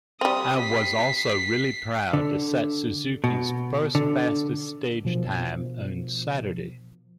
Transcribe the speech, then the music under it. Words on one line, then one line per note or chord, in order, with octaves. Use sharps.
I was also really proud to set Suzuki's first fastest stage time on Saturday.
G3 C4 D#6
B6 C7
D3
B2
D3
B2 F3